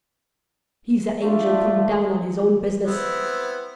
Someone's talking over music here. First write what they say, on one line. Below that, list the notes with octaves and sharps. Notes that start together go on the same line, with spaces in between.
He's a angel come down on his own business.
A3 D4 F4
B3 C4 E4